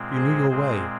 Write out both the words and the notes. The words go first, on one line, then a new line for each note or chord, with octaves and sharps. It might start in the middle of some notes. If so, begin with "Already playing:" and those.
You knew your way.
Already playing: A#2 G#3 C4
G#4 C5
A#2 G#3 C4 G#4 C5